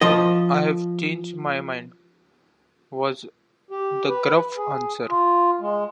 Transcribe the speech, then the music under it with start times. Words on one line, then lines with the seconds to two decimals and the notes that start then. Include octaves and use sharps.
"I've changed my mind," was the gruff answer.
0.01 F3 D#5
3.71 G4
4.09 B4
4.57 G#4
5.10 F4
5.61 G#3